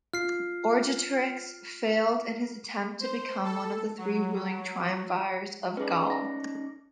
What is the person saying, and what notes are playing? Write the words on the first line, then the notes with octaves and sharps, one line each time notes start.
Orgetorix failed in his attempt to become one of three ruling triumvirs of Gaul.
F4 F6 C7
C5
A4
F#3
C#4 D#4 G#4 B4 D5
A#6